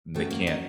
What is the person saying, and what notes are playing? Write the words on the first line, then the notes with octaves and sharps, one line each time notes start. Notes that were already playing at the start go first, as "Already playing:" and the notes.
They can't
F#2 D#3 F#3 A3
A#3
D#4